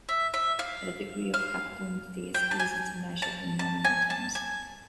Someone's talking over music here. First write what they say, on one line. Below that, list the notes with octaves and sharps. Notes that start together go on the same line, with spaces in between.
The degree of capital intensity is easy to measure in nominal terms.
E5
E5
F5
F5
G5
A5
G#5
A5
A5
G#5
A5
G#5